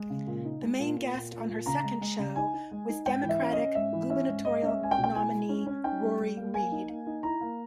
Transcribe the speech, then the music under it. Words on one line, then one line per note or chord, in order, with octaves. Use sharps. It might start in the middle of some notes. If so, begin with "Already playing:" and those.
The main guest on her second show was Democratic Gubernatorial nominee Rory Reid.
Already playing: G#3
C#3
A#2
D#4
G#3
A#2
A#2
A#2
A#2
A#2
C#3 A#5
G#3
G#3
C#3
D#4 G#5
D#4
G#3
D#4
G#2 G5
E3
E5
C#4
D#5
C#4
G#2 E5
E3
C#4 E5
G#2
G#3 D#5
C#4
E5
G#3 G#5
G5
B2
G5
E4 G#5
G#3
C#4
C#4
D#4 G5
G3
G3
A#3
A#3 G#5
D#4
A#3
D#4
E4 A#5
A#3